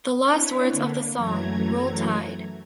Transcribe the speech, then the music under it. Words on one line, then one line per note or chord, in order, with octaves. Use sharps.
The last words of the song, Roll Tide!
C4 D4 E4 B4 C#5
D3 A#3 D4
F#2 E3 F#3 A3 A#5 G#6